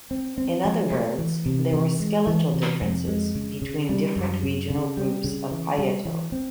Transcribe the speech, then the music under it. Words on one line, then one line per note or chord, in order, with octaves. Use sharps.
In other words, there were skeletal differences between different regional groups of Hayato.
C4
C4
F3
A3
E3
C3
E3
G#3
E3
C3
F2
G#3
C#3
C#3
G3
F#2
C#3
C#3
G3
C#3
E3
G3
E3
C4